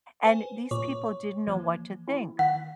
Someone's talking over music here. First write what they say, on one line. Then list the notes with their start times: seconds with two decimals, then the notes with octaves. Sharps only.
and these people didn't know what to think.
0.25 B4 C5 G#5
0.71 A#2 C#5 C#6 D6
1.48 E3 F3 A#3
2.07 C4 E4
2.39 D#3 F#5